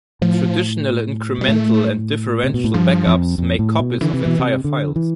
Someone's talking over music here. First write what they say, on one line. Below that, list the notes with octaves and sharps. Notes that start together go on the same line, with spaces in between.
Traditional incremental and differential backups make copies of entire files.
A2 F3
B2 G3
A2 A3
C3
B2
A2
G2 F3
F2
F2
A2
B2
D3 E3
C3
B2
C3
D3
E3